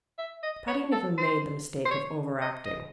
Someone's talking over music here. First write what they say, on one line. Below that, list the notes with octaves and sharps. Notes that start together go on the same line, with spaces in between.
Patty never made the mistake of over-acting.
E5
D#5
C#5
A4
C5
C5
C#5
D#5
D#5